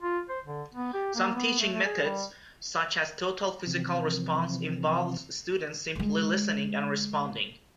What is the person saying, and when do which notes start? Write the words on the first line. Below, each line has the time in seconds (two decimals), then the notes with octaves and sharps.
Some teaching methods, such as Total Physical Response, involve students simply listening and responding.
0.02 F4
0.29 C5
0.45 D3
0.74 B3
0.93 G4
1.15 A#3
1.35 B3
1.60 A3
1.73 A3
1.85 G#4
2.04 G3
3.67 C3 E3 F3 C4
5.96 D3 G#3